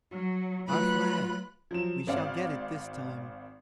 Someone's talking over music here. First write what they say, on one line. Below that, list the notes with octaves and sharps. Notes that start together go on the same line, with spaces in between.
"Our flag--we shall get it this time."
F#3
F#3 A3 F4 B4 B5 F#6
F3 F#3 E7
G#1 C4 D5 F5